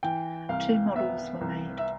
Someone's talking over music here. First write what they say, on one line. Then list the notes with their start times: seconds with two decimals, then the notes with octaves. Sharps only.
Two models were made.
0.03 E3 G5
0.49 C2 F5
0.95 B3 E5
1.41 C2
1.78 E5